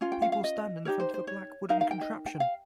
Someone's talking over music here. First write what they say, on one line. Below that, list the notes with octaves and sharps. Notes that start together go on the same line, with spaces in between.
People stand in front of a black wooden contraption.
C#4 F4
G5
F5
F5
D#5
D#4 G4 A#4 C#5
C5
C5
C#5
D#4 A#4 F5
F5
G5
D#5
G5
F5